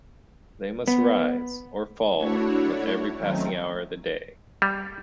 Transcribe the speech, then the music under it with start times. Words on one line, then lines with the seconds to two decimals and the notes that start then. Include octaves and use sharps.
They must rise or fall with every passing hour of the day.
0.88 B3
2.16 A3 D4 E4 F#4 C#5
3.18 D#3 F#3 A3 C4 C#4 D#4
4.62 G3